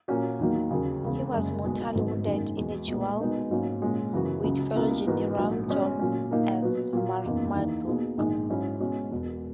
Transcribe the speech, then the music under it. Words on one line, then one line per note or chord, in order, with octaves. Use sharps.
He was mortally wounded in a duel with fellow general John S. Marmaduke.
A#2 A#3 C#4 F#4
E2 D#3 F#3 A#3
D#2 C#3 F#3 C#4 G#4
E1 E2 C#3
F#1 F#2 C#3 G#3
B1 B2 G#3
G#1 G#2 F#3 B3
F#1 F#2 D#3 G#3
E2 B2 G#3
B1 A#2 G#3 B3
B2 G#3 B3 D#4 A#4
G#2 F#3 A#3 C#4
A#2 G#3 C#4
F#2 C#3 E3 B3 F#4
C#2 C#3 F#3
C#2 B2 A#3 E4 A#4
G#2 E3 B3 F#4 A#4
A#1 G#2 F#3
B2 G#3 C#4
A#2 F#3 C#4
A#2 A#3 D#4 A#4
B2 F#3 B3
A#2 F#3 A#3
F#1 E2 B2 A#3 D#4
E2 D#3 A#3 E4
B2 A#3 D#4 G#4
A#1 G#2 D#3 G#3 D#4
G#2 F#3 C#4 E4
B2 G#3 C#4 F#4
E1 E2 B2